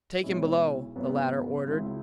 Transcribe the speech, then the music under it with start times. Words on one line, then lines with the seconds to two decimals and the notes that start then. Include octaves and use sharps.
"Take him below!" the latter ordered.
0.23 B1 B2 G#3 C#4 E4
0.95 G#1 F#2 F#3 B3
1.67 C#2 C#3 F#3 E4